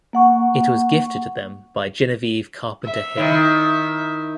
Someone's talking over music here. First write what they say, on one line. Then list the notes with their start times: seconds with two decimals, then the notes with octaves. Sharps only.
It was gifted to them by Genevieve Carpenter Hill.
0.13 A#3 F#5 C#6
2.84 E5
3.17 D#3 E4